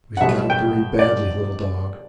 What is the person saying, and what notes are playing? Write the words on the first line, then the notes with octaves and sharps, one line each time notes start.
'We've got it very badly, little dog!
F#5
B1 B2 G3 E5
G5
D5